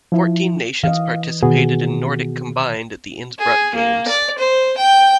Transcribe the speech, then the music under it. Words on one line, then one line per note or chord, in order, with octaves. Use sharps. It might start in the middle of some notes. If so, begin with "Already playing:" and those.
Fourteen nations participated in nordic combined at the Innsbruck Games.
F3 E4
E3 D#5 F5
B2 D#3 B3 F#4 G#4
G#4
A#3
D5
C5
G5